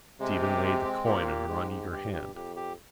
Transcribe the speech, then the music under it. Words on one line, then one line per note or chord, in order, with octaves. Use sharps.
Stephen laid the coin in her uneager hand.
C3 G#3
G4
G#3
C4
A#2 G4
G4
G#2 G#3
G4
G2 G4
G4
F2 G4
G4